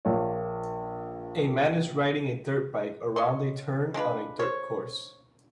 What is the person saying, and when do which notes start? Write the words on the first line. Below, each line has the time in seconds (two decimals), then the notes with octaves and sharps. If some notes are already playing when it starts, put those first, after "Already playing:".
A man is riding a dirt bike around a turn on a dirt course.
0.05 A#1 F3 A#3 F4 C#5
3.16 C#5 D#5 C6
3.94 G#3 D4 F4 B4
4.39 C5 C#5